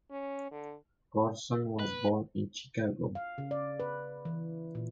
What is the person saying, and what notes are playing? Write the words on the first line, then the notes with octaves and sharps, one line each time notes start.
Corson was born in Chicago.
C#4
D3
B4
F5
C#3
D5
B4
E3
A#2